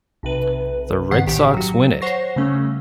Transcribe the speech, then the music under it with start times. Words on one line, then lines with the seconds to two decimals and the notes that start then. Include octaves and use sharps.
The Red Sox win it!
0.23 B1 C3 B4
1.11 G2 D#3 B3 F#5 B6 C7
1.27 A#1 A2 D#3 G4 G5
1.54 F#3 F#4
2.01 C5 C#5 F#5 C#6 A#6 C7
2.36 C#3 G3 A3 C#4